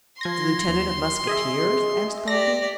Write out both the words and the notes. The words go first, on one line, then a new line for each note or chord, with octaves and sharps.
"The lieutenant of musketeers?" asked Gondy.
F3 C6 G#6 A#6
D#2
G#4 D#5 E5
G4 D5 A#6